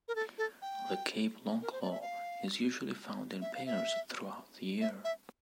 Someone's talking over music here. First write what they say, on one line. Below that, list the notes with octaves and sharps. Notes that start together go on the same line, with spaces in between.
The Cape longclaw is usually found in pairs throughout the year.
A#4
A4
A4
G5
A#4
C5
D5
E5
F5
E5
F5
E5
E5
E5